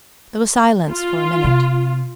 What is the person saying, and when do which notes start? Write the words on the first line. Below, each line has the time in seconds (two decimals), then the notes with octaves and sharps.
There was silence for a minute.
0.90 F4
1.44 C3